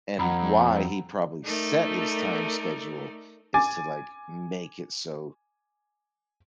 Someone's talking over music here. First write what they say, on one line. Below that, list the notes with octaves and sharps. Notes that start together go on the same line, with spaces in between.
and why he probably set his time schedule is to, like, make it so
F2 F#5 A#5 B5
A3 D#4 A4 A#4 D5
G#5 D6 A6